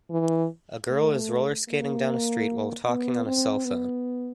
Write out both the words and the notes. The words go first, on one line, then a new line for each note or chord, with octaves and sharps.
A girl is rollerskating down a street while talking on a cellphone.
E3
A3
A#3
B3
C4
B3